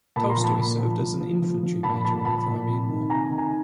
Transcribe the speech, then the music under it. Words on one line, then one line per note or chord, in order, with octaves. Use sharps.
Tolstoy served as an infantry major in the Crimean War.
A#2 A5 B5
A#5 C6
F3
A5 B5
A#2
F3
F3
F3
F3
F3
A#2 A5 B5
A#2 A5 B5
F3 A5 B5
A#2
C3
D#3
C3 G#5 A#5
D#3
G#5 A#5